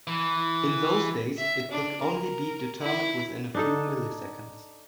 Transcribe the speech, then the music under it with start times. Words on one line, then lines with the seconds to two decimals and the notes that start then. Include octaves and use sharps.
In those days it could only be determined within a few milliseconds.
0.07 E3
1.37 E5
1.71 D4
2.02 A#4
2.82 E4
3.55 D4 D#4 A4